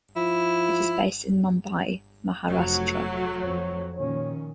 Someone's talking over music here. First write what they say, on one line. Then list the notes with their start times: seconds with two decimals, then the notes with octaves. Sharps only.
It is based in Mumbai, Maharashtra.
0.16 F3 E4
2.47 F1 F#3 A3
3.42 F2 C#5
3.97 A#2 D#3 C#4 C#5